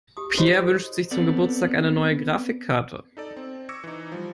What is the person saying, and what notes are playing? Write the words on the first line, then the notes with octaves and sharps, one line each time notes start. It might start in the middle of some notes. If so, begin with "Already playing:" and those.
Peer wünscht sich zum Geburtstag eine neue Grafikkarte.
G4 D#6
E4 F#4 G4 C5 C#5 D#5
A4
B3 C4 A4 D5
D#4 A4 D5
C4
C#6 D6 E6 G#6 A#6 C#7
E3 D#4
F3 G3